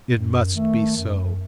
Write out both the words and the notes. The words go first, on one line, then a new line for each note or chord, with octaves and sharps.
It must be so.
F#2
D#3 A3
F#2